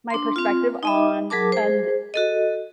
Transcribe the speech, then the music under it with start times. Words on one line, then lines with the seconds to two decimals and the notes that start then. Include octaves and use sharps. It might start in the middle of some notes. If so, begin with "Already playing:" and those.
my perspective on and
0.10 D4 C6
0.36 C4 F4
0.83 D#4 D#5 E5
1.30 F#3 G#4 A#4 A5 D6
1.52 G#4 C5
2.14 F#4 A4 D#5